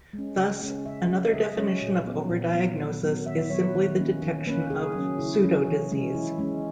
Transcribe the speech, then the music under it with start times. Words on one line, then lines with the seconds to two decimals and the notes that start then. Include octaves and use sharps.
Thus, another definition of overdiagnosis is simply the detection of pseudodisease.
0.13 G#3
0.18 C#4
0.38 C#3
0.62 G#3 C#4
0.86 C#3 E5
1.10 F#3 C#4
1.29 D#5
1.34 C#3 E5
1.45 D#5
1.58 F#3 C#4 C#5
1.82 A#2
2.06 F#3 B3
2.30 A#2
2.55 F#3 B3
2.78 D#3 B4
3.03 F#3 B3
3.26 D#3 E5
3.38 E5
3.50 F#3 B3 C#5
3.63 B4
3.74 D#3
3.99 A#3 C#4
4.22 D#3
4.47 A#3 B4
4.50 C#4
4.70 C#3 G#4
4.95 F#3 C#4
5.19 C#3 E4
5.43 F#3 C#4
5.66 E3
5.91 G#3 C#4
6.15 E3 E4
6.39 G#3 C#4